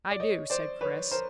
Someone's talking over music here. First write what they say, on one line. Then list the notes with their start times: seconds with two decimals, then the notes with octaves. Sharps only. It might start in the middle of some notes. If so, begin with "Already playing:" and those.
"I do," said Chris.
0.11 D5
0.20 C#5 D#5
0.50 C5 D5
0.81 B4 C#5
1.11 A#4 C5